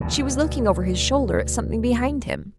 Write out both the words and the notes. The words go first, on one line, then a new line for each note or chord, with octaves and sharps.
She was looking over his shoulder at something behind him.
D2 B2